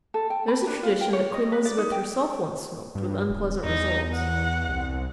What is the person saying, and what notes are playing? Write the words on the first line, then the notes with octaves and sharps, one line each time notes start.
There is a tradition that Queen Elizabeth herself once smoked--with unpleasant results.
A4
G5
B5
D4
F4
G5
C#5
D#5
B4
D5
D#4
G5
G2
D1
E2 D#4
F#5
C2